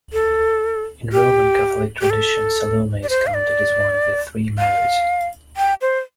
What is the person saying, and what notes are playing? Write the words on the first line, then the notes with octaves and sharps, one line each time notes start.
In Roman Catholic tradition Salome is counted as one of the Three Marys.
A4
G4
G4
A4
D5
C5
F5
D5
F5
G5
C5